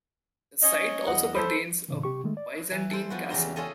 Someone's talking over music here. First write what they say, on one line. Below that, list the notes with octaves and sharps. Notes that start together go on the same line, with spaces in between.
The site also contains a Byzantine castle.
C#4 C#5 D#5
E2 D#5 F#5
A4 C5 B5
A2 C#3 E3
C3 G4 C#6
D#3 G#3 A3
D5
E3
A4 C5
F3 B3 F#4
E2 C#3 G4 A#5 C6
C#4 F4 G#4 A4 D#5